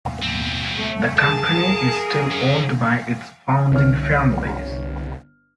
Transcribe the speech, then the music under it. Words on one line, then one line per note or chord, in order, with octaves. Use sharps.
The company is still owned by its founding families.
B2 C4
A3
G#4 A#4 A5
F#3 C#4
G1 C2 C#5 F6